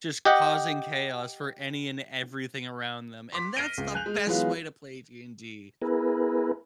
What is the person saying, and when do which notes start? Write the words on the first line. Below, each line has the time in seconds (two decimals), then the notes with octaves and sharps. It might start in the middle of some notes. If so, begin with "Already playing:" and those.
just causing chaos for any and everything around them, and that's the best way to play D&D
0.25 G4 D#5 F#5
3.32 C6 D6 B6
3.56 F6 A#6 C7 D7 D#7 G7
3.78 C#2
3.94 G#5 F#6 G6 F7
4.06 G#3
4.27 E3 F#3 G#3 B3 F4
5.82 B3 E4 G#4 A#4 B4